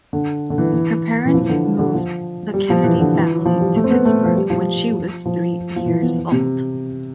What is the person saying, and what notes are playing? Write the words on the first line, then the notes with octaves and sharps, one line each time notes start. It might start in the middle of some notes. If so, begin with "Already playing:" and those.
Her parents moved the Kennedy family to Pittsburgh when she was three years old.
D3
D3
E3
E3
E3
F3
E3
D3
D3
F3
G3
F3
E3
E3
D3
E3
F3
G3
A3
C4
B3
A3
F3
G3
F3
F3
F3
E3
B3
C3